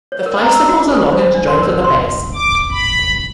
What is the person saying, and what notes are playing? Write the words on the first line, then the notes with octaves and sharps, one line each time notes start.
The five sepals are long and joined at the base.
C#5
A#4
A#5
E6
F#4
A4
C5
D4
C6
A#4
C6
D6
B5